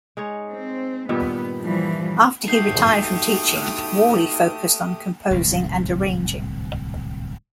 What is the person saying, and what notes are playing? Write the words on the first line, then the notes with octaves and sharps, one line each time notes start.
After he retired from teaching, Worley focused on composing and arranging.
G#3 D#4 C#5
C4
G2 A#2 D#3 B3
E3 F3 G3
A3 D#4 F#4 G4 D#6 G6 C7
D1 C2 G#2